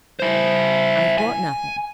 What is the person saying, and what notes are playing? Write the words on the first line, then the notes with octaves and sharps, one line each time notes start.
'I've brought nothing.
E4 C5
G#5